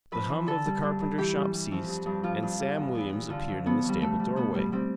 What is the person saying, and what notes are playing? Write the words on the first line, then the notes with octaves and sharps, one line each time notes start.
The hum of the carpenter shop ceased, and Sam Williams appeared in the stable doorway.
F2 B4
E3
D3 A4
G3
G2
G2
E3 G4
G3
G3
F2
G2
G2
F3 F4
G2
G3
E2
E2
E2
D3 F4
F2
F2 B3
F2
G3
G3 A3
G3
B2 B3
G3
G3 C4